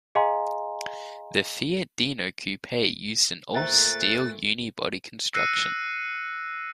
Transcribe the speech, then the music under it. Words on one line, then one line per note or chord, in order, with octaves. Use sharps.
The Fiat Dino coupe used an all-steel unibody construction.
G#4 D#5 F5 G#5 A#5 C6
E2 A#2 A3 C5 E5 A#5 F#6 A6
E6 F#6 A#6 C7 C#7 D#7